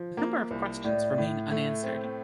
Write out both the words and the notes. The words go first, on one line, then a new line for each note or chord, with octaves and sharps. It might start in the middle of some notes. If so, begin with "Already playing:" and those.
A number of questions remain unanswered.
Already playing: F3
A#3
C2
A2 D5
A2
A3
C4